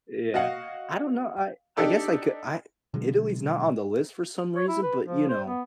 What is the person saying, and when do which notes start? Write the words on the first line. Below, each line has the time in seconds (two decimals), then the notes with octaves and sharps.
Yeah, I don't know, I I guess I could I Italy's not on the list for some reason, but, you know,
0.34 F#4 D#5 F5 F#5
1.77 D4 D#4 G4 A4 D5
2.94 B2 D3 F#3 G#3
4.56 C#5
4.68 E4
4.82 B4
5.04 F3
5.29 C5
5.46 B3